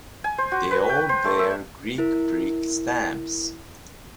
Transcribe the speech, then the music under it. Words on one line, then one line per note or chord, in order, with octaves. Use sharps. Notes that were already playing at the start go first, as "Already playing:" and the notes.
They all bear Greek brick-stamps.
G#5
C5
F#4
B4
G5
C5
A3
E5
E4 A#4